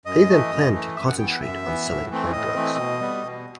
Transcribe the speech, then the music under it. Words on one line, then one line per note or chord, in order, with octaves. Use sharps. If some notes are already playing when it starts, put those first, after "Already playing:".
They then plan to concentrate on selling hard drugs.
F#2 D#5
E3 A3
F#2
E3 A3
F#2 E5
F#5
E3 B3 G5
F#5
F#2 E5
E3 B3
A2
E3 A3 C4
A2 D#5
E3 A3 C4
B2
G3 B3
B2